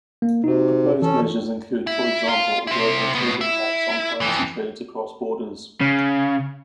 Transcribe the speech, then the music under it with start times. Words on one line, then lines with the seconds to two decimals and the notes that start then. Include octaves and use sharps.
Proposed measures include for example a global Tobin tax on currency trades across borders.
0.22 A#3
0.44 C3 D#4 F#4
1.02 E3 C#4 A4
1.87 E4
2.29 F4
2.67 C4 E4
3.15 A2 B3
3.41 E4
4.21 F2 E3
5.81 C#3